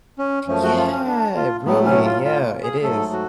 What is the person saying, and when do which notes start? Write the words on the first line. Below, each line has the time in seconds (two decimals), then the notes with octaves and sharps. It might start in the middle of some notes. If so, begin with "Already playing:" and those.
Yeah. Really. Yeah. It is.
0.19 C#4
0.47 F#2 F3 A3 C#4
0.63 F#4
0.77 F4
0.91 C#4
1.06 D4
1.36 F4
1.65 A2 F#3 A3 B3
1.86 C#4
2.05 F4
2.25 F4
2.63 G#4
2.83 G#2 F#3 A3 A4
3.13 F#4